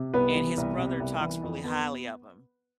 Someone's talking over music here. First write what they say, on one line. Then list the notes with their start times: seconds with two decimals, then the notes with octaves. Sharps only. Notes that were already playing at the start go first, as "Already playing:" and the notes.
and his brother talks really highly of him,
Already playing: C3
0.13 C2 B3 B4
0.35 E3
0.57 C2
0.78 C3
1.00 C2
1.21 E3
1.43 F2
1.64 B3